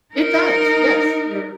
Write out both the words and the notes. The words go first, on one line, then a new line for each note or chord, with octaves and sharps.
It does, yes, you're
D#4 A#4